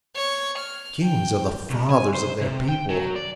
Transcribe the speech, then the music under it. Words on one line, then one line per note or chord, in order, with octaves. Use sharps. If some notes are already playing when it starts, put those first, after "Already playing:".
Kings are the fathers of their people.
C#5
F6
G5
C2
G#5
C5
C3
G5
F#3
D5